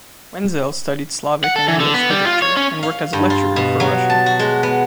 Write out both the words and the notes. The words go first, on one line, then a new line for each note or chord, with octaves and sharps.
Wenzel studied Slavic and English literature and worked as a lecturer for Russian.
F#5
A4
E3
D3
B3
G3
F4
C#5
C#4
F5
G2
F4
B2
F#3
A5
F#4
G#3
B3